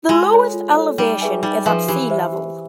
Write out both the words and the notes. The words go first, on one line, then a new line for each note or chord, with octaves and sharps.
The lowest elevation is at sea level.
G#3 F4
A4 C#5
F4
A4 C#5
G3 D#4
G#4 B4 E5 G#5
G3 D#4
F3 G#4 B4 E5 G#5
E3 G4
C5 E5
G4